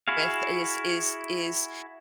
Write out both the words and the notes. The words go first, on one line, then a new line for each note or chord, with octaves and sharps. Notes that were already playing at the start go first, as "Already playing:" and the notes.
with is is is
E4 F#4 G#4 F5